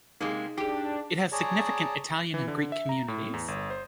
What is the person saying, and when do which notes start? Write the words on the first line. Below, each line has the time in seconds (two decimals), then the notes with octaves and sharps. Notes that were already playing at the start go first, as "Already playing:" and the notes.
It has significant Italian and Greek communities.
0.21 C3 G#3 A#3 D#4 G#4
0.58 D4 D#4 G4 G#4
1.32 G#4 C#5 D5 A5 A#5
2.34 E3
2.48 D3
2.72 E5
2.89 A#5
3.08 A2
3.34 E2
3.48 G1
3.70 C5